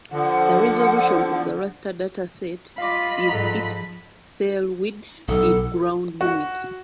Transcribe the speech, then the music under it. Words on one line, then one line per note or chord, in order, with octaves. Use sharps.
The resolution of the raster data set is its cell width in ground units.
D3 F3 F#5
F4 D#5 F5 B5 D6
G#2 F3 A4 F#5 A#5
B1 A4
F#4